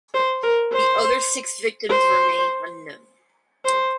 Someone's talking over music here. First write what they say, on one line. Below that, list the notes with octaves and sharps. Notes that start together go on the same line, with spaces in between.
The other six victims remain unknown.
C5
A#4
C5
C5
C5